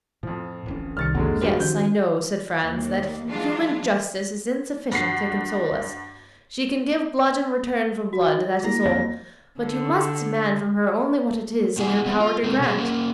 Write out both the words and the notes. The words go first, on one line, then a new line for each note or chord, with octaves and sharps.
"Yes, I know," said Franz, "that human justice is insufficient to console us; she can give blood in return for blood, that is all; but you must demand from her only what it is in her power to grant."
F2 A2 F3
D1 A1 C#4
C2 C3 D#3 F6 A6 C#7
G#1 F2 D3 F#3 G#3 A#3
G3 G#3 D4 F#4 G4 C5
D#3 F3 C#4 G6
D#2
E3 F#3 G#3 D4 F4
G2 F#4 C7
F#4
A#3 E4 A#6
F2
D3
A2 B3 G#4 G#5
B3 C4 G#4
F4
G#3 C4 A4
B2 G#4
A#3 C#4 A#4